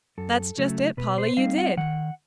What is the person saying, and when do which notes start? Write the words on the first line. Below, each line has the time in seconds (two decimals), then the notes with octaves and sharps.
That's just it, Polly, you did.
0.18 F#2 A4
0.58 C#3 F#3 A3
0.97 B2 B4
1.18 C5
1.37 G3 C4 D#4 F5
1.58 F#5
1.77 D#3 F#5